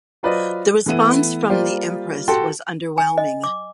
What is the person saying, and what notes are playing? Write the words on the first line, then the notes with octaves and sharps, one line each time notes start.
The response from the Empress was underwhelming.
F#3 F4 B4 C5 D5 D#5
E3 A3 B3 E4 D#7
G3 A#3 F4 G4 C5 D5
F#4 G4 A4 G5 C6
G#5
D#5
D6